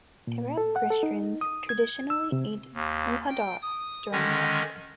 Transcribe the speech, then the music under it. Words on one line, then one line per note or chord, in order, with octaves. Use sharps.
Arab Christians traditionally eat "mujaddara" during Lent.
A#2
A4
F#5
A4
D#4
D#6
G#6
E6
C3
D#2
G5
D#6
D3 D#3 G#3 C#4